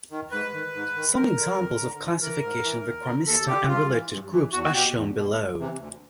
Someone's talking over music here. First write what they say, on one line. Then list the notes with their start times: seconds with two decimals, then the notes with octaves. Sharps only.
Some examples of classification of the Chromista and related groups are shown below.
0.10 D#3
0.31 G#2 B4
0.53 D#3
0.74 G#2
0.95 D#3
1.16 F2 A#4
1.37 D3
1.58 F2
1.79 D3
2.00 G#2
2.21 E3 A#4
2.42 G#2
2.63 E3
2.84 D#2
3.05 D3
3.26 D#2 A4
3.47 D3 G4
3.68 G2 F4
3.89 E3
4.10 G2
4.31 E3
4.52 E2 F#4
4.63 F#4
4.73 B2 G4
4.94 E2
5.16 B2
5.36 D2
5.58 C3 E3
5.79 D2